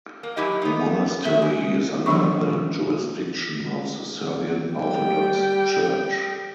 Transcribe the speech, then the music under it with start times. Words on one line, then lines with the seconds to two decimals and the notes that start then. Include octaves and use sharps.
The monastery is under the jurisdiction of the Serbian Orthodox Church.
0.23 A#3
0.36 F#2 F#3 E4 G4 D#5
0.62 B3 D#4
1.25 D#3 E5
1.42 G#3
2.06 E3 F#3 D4 C#6
4.75 G3 G5